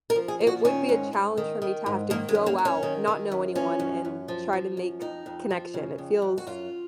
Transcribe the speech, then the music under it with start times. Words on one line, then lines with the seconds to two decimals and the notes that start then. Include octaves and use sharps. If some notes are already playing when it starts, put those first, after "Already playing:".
it would be a challenge for me to have to go out, not know anyone, and try to make connection. It feels
0.10 A#4
0.16 F3
0.28 G#4
0.41 A#2
0.47 F#4
0.65 D#3 C#4
0.89 G#2
1.13 G#2
1.37 D#3
1.62 D#3
1.86 G#2
2.10 D#3 A#3
2.29 G#3
2.35 F#2
2.46 A#3
2.58 F#2
2.65 C#4
2.83 D#3
3.07 D#3
3.32 F#2
3.55 F3 C#4
3.80 F#2
4.05 F#2
4.28 F3
4.53 F3
4.77 F#2
5.01 F2 D#4
5.26 F2
5.50 F3
5.74 C#3
5.98 F2
6.22 F2
6.38 F#4
6.47 F#2 F4